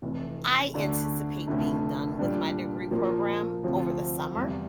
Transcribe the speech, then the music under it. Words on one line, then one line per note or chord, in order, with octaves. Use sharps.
I anticipate being done with my degree program over the summer
F1 F2 E3
D2 D3 A3 D4
F1 F2 D3 A3 E4
A#2 G3 D4
A#2 F3 A#3
D2 C3 F3 C4
E2 C3 G3